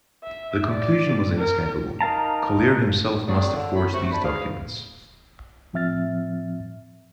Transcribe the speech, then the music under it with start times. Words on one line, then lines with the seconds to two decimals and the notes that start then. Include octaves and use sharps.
The conclusion was inescapable-Collier himself must have forged these documents.
0.23 E5
0.69 D5
1.38 A#4
2.01 D#4 A#4 F5 A5 A#5
3.27 F#3 A#3 C4 F#4 G#4 D5
3.56 D3
3.75 F#3 A3 E4 F4 B5
3.93 C3 A3 F#4
4.12 D3 C5 A5 B5
4.23 D2 A#3 G#4 F5
5.73 A2 F3 C4 E5 F6 A6